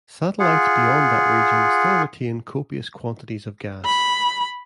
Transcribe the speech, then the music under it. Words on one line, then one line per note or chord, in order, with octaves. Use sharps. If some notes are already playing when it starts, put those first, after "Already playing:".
Satellites beyond that region still retain copious quantities of gas.
F4 G#4 F#5
B5